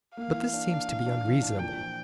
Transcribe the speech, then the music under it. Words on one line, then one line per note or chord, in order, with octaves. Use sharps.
But this seems to be unreasonable.
A#3 F5
E3
D4
D4
E3
D4
E3
D4
A#2 G5
F3